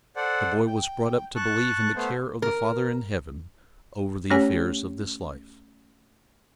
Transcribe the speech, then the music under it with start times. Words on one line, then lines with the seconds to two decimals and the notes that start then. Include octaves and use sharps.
The boy was brought up to believe in the care of the Father in Heaven over the affairs of this life.
0.16 A4 C5 D5 F#5
0.67 G5
1.36 A5 C#6 F#6
1.96 A3 B3 C5
2.42 A#4
4.30 A3 C#4 G4 C#5 G#5